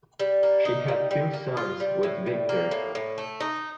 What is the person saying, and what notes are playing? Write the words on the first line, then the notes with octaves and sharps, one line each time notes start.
She had two sons withVictor.
G3
A#3
D#4
G3
G3
A#3
F4
G3
A2
G3
A#3
A2
A2
A3
D#4